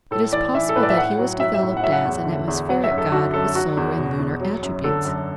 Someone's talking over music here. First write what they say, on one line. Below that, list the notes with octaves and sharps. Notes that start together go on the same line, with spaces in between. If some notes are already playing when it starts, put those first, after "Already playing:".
It is possible that he was developed as an atmospheric god with solar and lunar attributes.
A2 A4
E3 D5
E3 E5
A4
A2 B4
D5
E5
A2 F#5
F#3
F#3 E5
E5
A2
F#5
F#3 E5
F#5
E2
D3
E2
F#3 F#5
E5
F#2
A4
D3 F#4
F#2 A4
F#3 F#4
E2
B2
E2
F#3
F#2
D3 A4
F#2